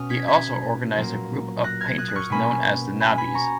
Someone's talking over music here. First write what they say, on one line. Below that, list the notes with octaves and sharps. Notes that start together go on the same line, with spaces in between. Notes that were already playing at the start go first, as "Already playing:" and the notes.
He also organized a group of painters known as The Nabis.
Already playing: B2 C#4 D#6 F6
G#6 B6
G#6 B6
A#2 F#3 A#3
F#6 A#6
F6 G#6
D#6 F#6
F#6
C#6 F6
B2 A#3 C#4 G#5 B5
G#5 B5
G#5 B5
A#5 C#6